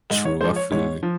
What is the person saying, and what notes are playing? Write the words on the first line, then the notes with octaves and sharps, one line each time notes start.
True. I feel it
G#2 D#5
C#5
F3 G#3 C5
C#5
G#2 C#5
F3